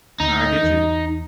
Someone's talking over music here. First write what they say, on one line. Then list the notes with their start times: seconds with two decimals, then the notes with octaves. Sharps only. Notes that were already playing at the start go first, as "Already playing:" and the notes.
Nah, I get you.
0.20 D2 D#4
0.63 E2